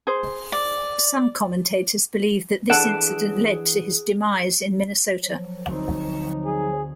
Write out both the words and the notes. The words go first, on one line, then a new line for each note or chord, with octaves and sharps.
Some commentators believe that this incident led to his demise in Minnesota.
G#4 C5
D5
E3 D4 G#4 A4 F#5 F#6 D7 E7
F3 F#3
D2 C4 D#4
G#4